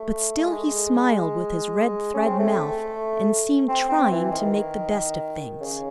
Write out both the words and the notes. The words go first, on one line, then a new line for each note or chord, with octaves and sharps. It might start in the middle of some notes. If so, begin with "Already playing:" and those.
But still he smiled with his red-thread mouth and seemed trying to make the best of things.
Already playing: A3
A3
G#3
C#4
C4
A3
C4
C4
E3
D#3
C#3